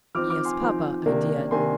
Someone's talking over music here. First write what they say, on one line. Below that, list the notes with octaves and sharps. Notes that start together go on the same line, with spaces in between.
"Yes, papa, I did."
F3 C4 D#4 D6 F6
D6 F6
G#5 C6
F3 C4 D#4
C3 D#3 A#3 D4
C3 D#3 A#3 D4 G#5 C6